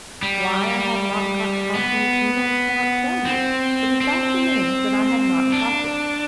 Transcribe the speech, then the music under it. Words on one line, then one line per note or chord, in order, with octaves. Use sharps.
Why I have not got housemaid's knee, I cannot tell you; but the fact remains that I have not got it.
G3
B3
C4
C4
D4